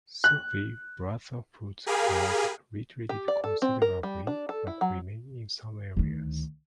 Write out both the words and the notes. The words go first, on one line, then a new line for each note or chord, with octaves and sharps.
Sufi brotherhoods have retreated considerably, but remain in some areas.
F#6
G4 G#4 A#4 F5 G#5 B5
G4
D5
A4
C4
A#4
G3
D4
A4
E4
F#3
D2 D#3